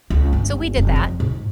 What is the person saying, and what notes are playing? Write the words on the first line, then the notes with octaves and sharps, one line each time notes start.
So, we did that
C#2
G1
F1
F3
G#2